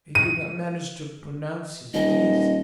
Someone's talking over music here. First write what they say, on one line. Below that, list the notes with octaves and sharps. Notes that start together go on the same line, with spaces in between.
He could not manage to pronounce his Ds.
D#7
D#1 D#5